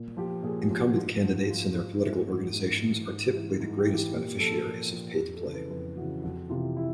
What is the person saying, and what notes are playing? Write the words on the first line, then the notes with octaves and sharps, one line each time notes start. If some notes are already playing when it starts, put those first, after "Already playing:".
Incumbent candidates and their political organizations are typically the greatest beneficiaries of Pay-to-Play.
Already playing: A#2
F3 G4
A#2 G#4
G4
F3
F#4
G#2 F4
F3 F#4
G#2 F4
F3 F4
G#2 E4
E3 F#4
G#2
E3
G#2
E3
G#2
G4
E3
G4
A#2 G4
F3 A4
A#2 A#4
F3
F2 G4
A4
C#3 E3
B4
F2 B4
C#3 E3 F#4
F2 F#4
C3 E3 F4
E4